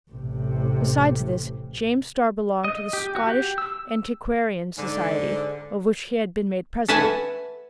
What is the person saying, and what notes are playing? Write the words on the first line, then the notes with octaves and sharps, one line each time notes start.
Besides this, James Starr belonged to the Scottish Antiquarian Society, of which he had been made president.
A1 C3
D#5
G4
F#4
G4
E6
G#2 D3
A4 B4 E5 F#5 G#5 A5